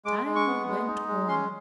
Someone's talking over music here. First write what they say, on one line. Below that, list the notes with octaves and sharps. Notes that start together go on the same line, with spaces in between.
Time went on.
G#3 D6
G#3
C#6
B3
G#3
D#4
G#3
C#4 C6